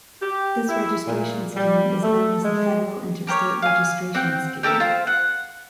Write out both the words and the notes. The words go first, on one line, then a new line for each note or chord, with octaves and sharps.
This registration scheme is known as the Federal Interstate Registration Scheme.
G4
E4
A#2
G3
A3
G#3
G4 A#4 C5 C#5
F5 G#5
C4 F#5 G5
G4 A4 A#4 E5
F4 C5
F#5